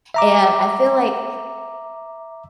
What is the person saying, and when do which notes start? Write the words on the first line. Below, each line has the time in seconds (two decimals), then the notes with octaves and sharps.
and I feel like
0.14 E5 A#5 D6